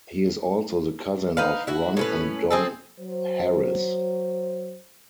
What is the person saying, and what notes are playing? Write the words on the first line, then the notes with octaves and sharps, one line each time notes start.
He is also the cousin of Ron and Don Harris.
D#4 B4 F5
E4 F#4
A2 C#4 B4
C4 G#4 A4
F#3 C5